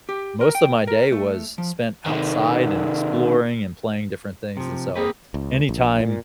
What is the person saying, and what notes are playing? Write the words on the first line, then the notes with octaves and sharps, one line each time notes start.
most of my day was spent outside and exploring and playing different things, and so, anytime
G4
A#4
G5
A#4
A3
F3
C3 D#3
C3 F3
A#3 C4 G#4 B4
C#2
A#1
A#2